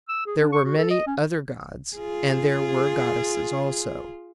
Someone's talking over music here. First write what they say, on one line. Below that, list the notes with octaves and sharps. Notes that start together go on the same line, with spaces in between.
There were many other gods; and there were goddesses also.
E6
G#4
D4
C#6
F#4
A4
D#5
C#4
F4 G#4